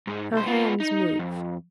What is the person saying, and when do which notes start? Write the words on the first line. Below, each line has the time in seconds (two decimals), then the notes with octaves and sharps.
Her hands moved.
0.07 G#2 G#3
0.33 B1 C5
0.46 B3 F4
0.80 D#4
1.19 F2